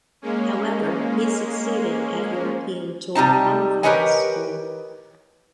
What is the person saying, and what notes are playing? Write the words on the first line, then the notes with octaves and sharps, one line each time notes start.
However he succeeded at European Tour Qualifying School.
G#3 A#3 C#4
C3 G3 D#4 A5
G4 A#4 B4 C#5 D#5 G#5